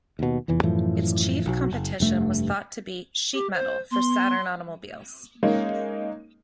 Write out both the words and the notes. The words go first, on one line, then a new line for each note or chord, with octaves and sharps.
Its chief competition was thought to be "Sheet Metal" for Saturn automobiles.
D#2 B2
F1 E2 E3
F#2 A2 E3 F3
B1 F#3
F#1
F1 G2 A3
G4
C5
B3 C6
G#3 A#3 C#4 D#4